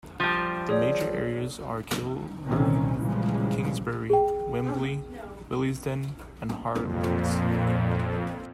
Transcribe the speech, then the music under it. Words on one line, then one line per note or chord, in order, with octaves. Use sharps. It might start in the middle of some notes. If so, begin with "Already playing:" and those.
The major areas are Kilburn, Kingsbury, Wembley, Willesden and Harlesden.
F3 G3
G#4 C#5 D5
C2 A#2 D#3 G3 C4 C#4
A#2 C#3 E3 F3 G3 G#3
G#4 G5
F2 A#2